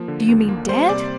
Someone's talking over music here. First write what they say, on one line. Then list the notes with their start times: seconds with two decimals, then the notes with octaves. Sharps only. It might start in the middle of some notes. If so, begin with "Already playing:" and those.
Do you mean dead?
Already playing: F3 A#3
0.08 D3
0.29 D#2
0.49 A#3
0.69 G3 C5 C6
0.89 C3 D5 D6